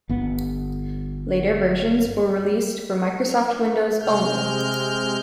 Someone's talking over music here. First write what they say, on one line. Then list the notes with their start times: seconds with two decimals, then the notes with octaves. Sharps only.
Later versions were released for Microsoft Windows only.
0.09 G1 B3
4.02 C3 G#3 F6 G6